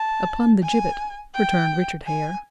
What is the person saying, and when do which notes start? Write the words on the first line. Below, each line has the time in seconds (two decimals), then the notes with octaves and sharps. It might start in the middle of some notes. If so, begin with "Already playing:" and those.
"Upon the gibbet," returned Richard Hare.
Already playing: A5
0.63 G#5
1.34 G5
2.06 G#5